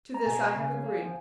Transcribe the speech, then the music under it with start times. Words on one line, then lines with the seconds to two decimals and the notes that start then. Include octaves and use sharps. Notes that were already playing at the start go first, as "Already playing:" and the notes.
To this I have agreed.
0.14 A#5
0.26 B2 G#5
0.55 C#3
0.84 A#3
1.02 F3